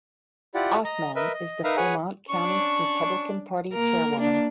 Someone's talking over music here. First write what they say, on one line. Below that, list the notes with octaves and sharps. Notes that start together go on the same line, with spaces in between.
Ottman is the Fremont County Republican Party chairwoman.
E4 F4 G4 D5 F#5
D#5 A#5
A#4 B4 D#5 E5
D#5
D#4 A#4 B4 E5 F5 A#5
G#4 B4 C#5 F#5 G#5
C#4 D4 C#6
A#3 A#4
A#3 D4